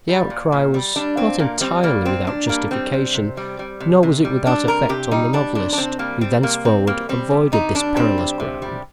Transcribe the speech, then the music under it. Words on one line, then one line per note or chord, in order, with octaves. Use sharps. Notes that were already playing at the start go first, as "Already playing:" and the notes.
The outcry was not entirely without justification, nor was it without effect on the novelist, who thenceforward avoided this perilous ground.
G3
A#2
A#2
G3
G3 D4
A#2 C4
A#2 A#3
G3 C4
G3 A#3
A#2 C4
A#2 D4
G3 A#3
G3 C4
C3
C3
G3
G3
C3
C3
G3
G3 D4
C3 A#4
C3 G4
G3 D#4
G3 D4
C3 D4
D4
C3 C4
G3 A#3
G3 C4
C3 A#3
C3 C4
G3 A#3
G3 C4
C3
C3 D#4
G3 D4
G3 C4
C3
C3
G3